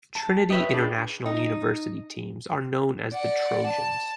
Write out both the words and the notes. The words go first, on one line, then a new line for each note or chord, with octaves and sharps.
Trinity International University teams are known as the Trojans.
A5
G4 B4 C#5 D#5 E5
D4 G#4 G5 A5 B5
D#4
D5 F#5
A5